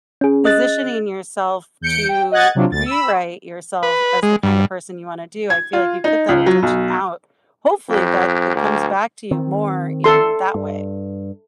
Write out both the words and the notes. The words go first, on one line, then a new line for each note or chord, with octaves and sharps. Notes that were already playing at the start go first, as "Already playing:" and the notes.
positioning yourself to prewrite yourself as the kind of person you want to do. I feel like you put that intention out. Hopefully that it comes back to you more in that way.
C#4 G#4
D#5 F#6 A6
E2 G6 C#7 D7
G5
D#5 F#5 F#6 G#6 A6
C3 F#3 D4 F4
D2 A6
B5 E6
B4
G#3
G2
G#6
F4
D#4
C#2
F#3
B1
F2
D2
D#3 C4
A4 C6
G2